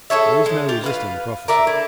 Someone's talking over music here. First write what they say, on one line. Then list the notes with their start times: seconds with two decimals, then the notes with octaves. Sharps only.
There is no resisting a prophecy.
0.10 G#4 A4 C#5 E5
0.46 C#3 G#3
0.69 F4 G4
0.84 B4 F5
1.48 A#4 D5 E5
1.67 A3 E4